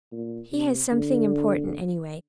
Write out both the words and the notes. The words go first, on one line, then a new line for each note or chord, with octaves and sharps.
He has something important, anyway.
A#2
C3
D3